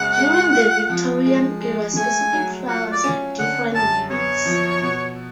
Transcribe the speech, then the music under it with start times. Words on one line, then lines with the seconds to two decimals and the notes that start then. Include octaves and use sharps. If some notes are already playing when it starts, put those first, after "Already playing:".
During the Victorian era, specific flowers had different meanings.
Already playing: F#2 C#3 G#3 F#5
0.18 G#3
0.54 F4
0.90 F3
1.26 G#3
1.61 G#3
1.96 A3 G#5
2.32 F#3
2.68 F4 F#5
2.92 D5
3.04 C#4
3.39 D3 F#5
3.75 F#2 A5
4.10 B3 C#5
4.45 F3
4.82 B2